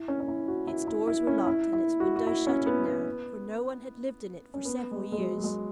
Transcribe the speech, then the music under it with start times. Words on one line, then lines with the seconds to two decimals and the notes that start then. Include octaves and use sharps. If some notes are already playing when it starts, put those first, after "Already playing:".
Its doors were locked and its windows shuttered now, for no one had lived in it for several years.
Already playing: E4
0.08 C#4
0.20 C#4
0.28 E4
0.48 F#4
0.67 E4
0.87 E4
1.07 E4
1.27 C#4
1.47 E4
1.73 E4
2.00 F#4
2.16 F#4
2.27 E4
2.47 C#4
2.66 B3
2.86 B3
4.54 C#4
4.65 B3
4.91 G#3
5.12 G#3
5.18 F#3
5.38 F#3
5.44 G#3